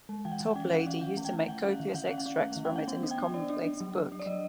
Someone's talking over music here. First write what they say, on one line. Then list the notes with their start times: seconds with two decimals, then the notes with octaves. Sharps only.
Toplady used to make copious extracts from it in his common-place book.
0.09 G#3
0.25 E3 G5
0.32 F#5
0.41 E3
0.55 C#4 G5
0.70 E3 F5
0.79 F#5
0.87 C#4
1.01 D#3 F#5
1.17 A3
1.25 G5
1.33 A3
1.48 D#3 F#5
1.64 C#4
1.71 F5
1.80 D#3
1.94 D#3 F#5
2.10 C#4 F5
2.18 F#5
2.26 C#4
2.41 A3 F5
2.53 F5
2.56 D#3
2.65 G5
2.72 C#4 F#5
2.87 B3 F#5
3.03 D4
3.11 G5
3.19 D4
3.34 B3 D5
3.50 D4
3.65 D4
3.80 F#3
3.96 F#3
4.12 D4
4.19 D5
4.26 F#3 D#5